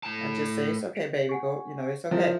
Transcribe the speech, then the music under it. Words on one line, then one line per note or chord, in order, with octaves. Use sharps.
I just say, "it's okay, baby, go you know, it's okay.
A2 A5
F#5 G#5 C#6
F3 E4 A#4 E5